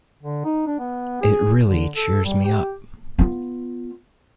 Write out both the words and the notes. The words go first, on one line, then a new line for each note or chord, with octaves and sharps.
It really cheers me up.
D3
D#4
D4
B3
G#4
D3
A4
G3
G4
B3 F4